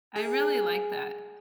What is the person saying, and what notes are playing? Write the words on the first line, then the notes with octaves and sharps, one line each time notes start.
I really like that.
G#4